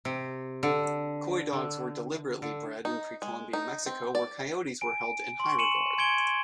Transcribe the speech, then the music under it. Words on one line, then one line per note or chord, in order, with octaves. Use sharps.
Coydogs were deliberately bred in Pre-Columbian Mexico, where coyotes were held in high regard.
C3
D3
D3
D3
D#4
G#3
D#4
C4
D5
G#5 D7
C6 C#6
G#5 C#7 D#7 E7 F#7
G#5 C6 G#6 C#7 D7 G7